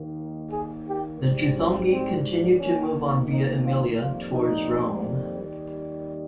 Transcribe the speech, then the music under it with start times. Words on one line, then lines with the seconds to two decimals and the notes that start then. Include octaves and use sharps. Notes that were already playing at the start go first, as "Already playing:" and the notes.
The Juthungi continued to move on Via Emilia towards Rome.
Already playing: D#2 D#3 A#3
0.50 G#4
0.85 G4
1.19 G#2 G3 C4
1.55 C#4
1.89 C4
2.59 D#2 D#3 A#3 C#4
3.29 D#4
3.64 F4
3.98 F2 D#3 G3 A#3 F4
4.34 D#4
5.38 D#2 D#3 G3